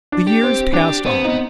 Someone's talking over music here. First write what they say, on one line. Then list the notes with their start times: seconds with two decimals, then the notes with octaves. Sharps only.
The years passed on.
0.12 D4
0.27 G4
0.43 C4
0.73 D4 G4
1.05 B3 C4
1.25 B3 D#4